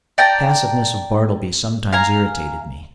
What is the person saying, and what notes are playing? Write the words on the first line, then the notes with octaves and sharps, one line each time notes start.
The passiveness of Bartleby sometimes irritated me.
D5 G5 A5 A#5
F5 G#5 A#5